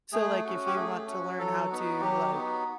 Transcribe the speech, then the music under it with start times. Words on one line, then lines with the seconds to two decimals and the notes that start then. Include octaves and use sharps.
so, like, if you want to learn how to, like,
0.13 A3 G#4
0.44 C#4 F#4
0.66 G4
0.75 A3 G#4
1.07 C#4 F#4
1.38 F#3 A4
1.70 B3 D#4 F#4
2.01 F#3 G4
2.32 B3 D#4 F#4